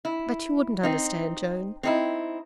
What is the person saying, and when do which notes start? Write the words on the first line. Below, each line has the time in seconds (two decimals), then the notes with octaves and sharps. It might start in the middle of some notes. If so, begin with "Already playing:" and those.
But you wouldn't understand, Joan.
0.05 E4
0.83 C4 D#4
1.83 C4 D#4 E4